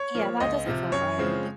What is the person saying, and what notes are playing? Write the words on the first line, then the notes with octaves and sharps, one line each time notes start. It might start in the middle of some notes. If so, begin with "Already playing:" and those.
Yeah, that doesn't feel good,
Already playing: C#5
F3 A#3
C#2 D#5
C3 F3
F#2 C#5
C#3 F3 G#3 C4